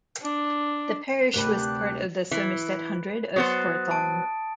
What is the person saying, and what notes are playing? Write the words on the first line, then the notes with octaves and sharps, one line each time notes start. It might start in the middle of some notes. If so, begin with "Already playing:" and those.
The parish was part of the Somerset hundred of Horethorne.
D4
D2 C3 A3 D4 G4 A#4 B4 F#6
E3
F#3 B3 C5 D#6 A6
A5 D7